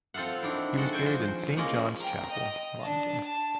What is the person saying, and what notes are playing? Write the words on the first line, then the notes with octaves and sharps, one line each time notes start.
He was buried in Saint John's Chapel, London.
C4 F4 A4 F5 F#5
D#3 D4 E4
G#3 F#4 A4
C5 G5 G#5
F3 F4
G#3 A#3 C#4 F4 A#4
A#4 G5
D#5
D4 A5
A5